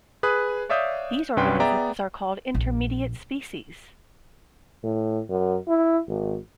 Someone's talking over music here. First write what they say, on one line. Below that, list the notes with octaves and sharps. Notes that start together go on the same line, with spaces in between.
These organisms are called intermediate species.
G#4 B4 B5 D#6 F#6
C#5 D5 E5 F5 D#6 G6
C2 G2 C#4 B4 G5 C6
B3 G#4 D5 E5 G5 A#5
A#1
A2
F#2
E4
G#1